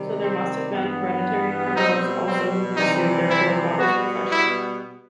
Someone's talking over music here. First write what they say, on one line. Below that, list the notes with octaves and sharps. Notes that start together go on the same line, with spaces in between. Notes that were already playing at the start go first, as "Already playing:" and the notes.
So there must have been hereditary criminals also who pursued their forefathers' profession.
Already playing: C3 D#3 G3
C4
G2 E3 B3
B2 G3 C4 D#4
C4
C3 E3 G3 C4 D#4
E4
B2 G3 B3 F#4
E4